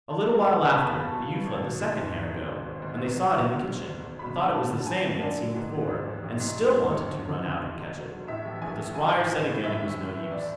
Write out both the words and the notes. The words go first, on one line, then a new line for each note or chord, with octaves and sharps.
A little while after, the youth let the second hare go, and they saw it in the kitchen, and thought it was the same they had seen before, and still wanted to run out and catch it; but the Squire said again it was no use.
C#2 A5
F#3
B2
C#6
C#2 B5
B2 A5
C#2
F#3
B2
G#1
F#3
G#2
G#2
G#2
G#2
G#1
G#1
D2
E1
E1
D2
D3
E1
D2
D2
F#3 B5
D3
F#3 A5
D3
F#3 G#5
D3
D3 D5
F#3
G#2
F#3
G#2
A1
A1
G#2
F#3
G#2
D2 C#5
D3
D3
D3
D2
E1
F#3
F#3
A2 E5
A1
A1 G#5
A1
F#3 G#5
A2
A1
A2
F#2 E5
G#1
F#2
E3
D5